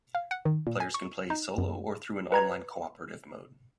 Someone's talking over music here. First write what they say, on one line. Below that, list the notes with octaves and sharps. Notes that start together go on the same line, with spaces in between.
Players can play solo or through an online cooperative mode.
F5
F#5
D#3
A#2
G#5
C#6
D#4
F#2
B4 A#5 G#6